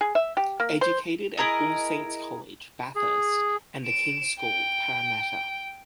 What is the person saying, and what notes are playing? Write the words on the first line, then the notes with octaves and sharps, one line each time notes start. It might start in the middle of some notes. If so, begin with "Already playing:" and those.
Educated at All Saints College, Bathurst, and The King's School, Parramatta.
G#4
E5
G4
A#3
C5
E4 G#4 A#4 D#5
G#4
D7 E7
G5